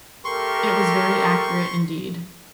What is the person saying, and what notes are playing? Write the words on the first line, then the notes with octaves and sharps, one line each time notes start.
It was very accurate indeed.
A3 G4 A#4 C6 C#6